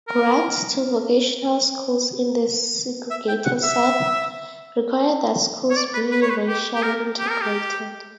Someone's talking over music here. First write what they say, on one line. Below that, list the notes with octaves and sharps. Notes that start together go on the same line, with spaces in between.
Grants to vocational schools in the segregated South required that schools be racially integrated.
A#4
E5
G5
F#5
E5
C#5
D5
B4
B4
C#5
B4
G4
G4
A#4
G4
A#4
G4